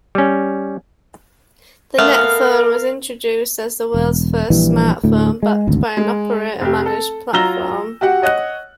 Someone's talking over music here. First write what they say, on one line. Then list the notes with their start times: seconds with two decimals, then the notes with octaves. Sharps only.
The Netphone was introduced as the world's first smartphone backed by an operator-managed platform.
0.15 G3 C#4
1.98 A3 B3 A#4 F5
3.94 E1
4.50 A#1 E3 G3
5.03 D2 A2
5.43 G#3
5.67 G#1 D2
5.97 G#3
6.61 F1 G4
6.86 A4
7.33 F#3 F4 A#5 E6 A#6 G7
8.01 F#4 G4 F#5
8.22 C#5 D#5 F#5 F#6